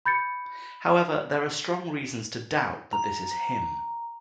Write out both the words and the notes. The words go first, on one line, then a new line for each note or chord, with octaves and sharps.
However, there are strong reasons to doubt that this is him.
B5 G6 A6 C#7
A#5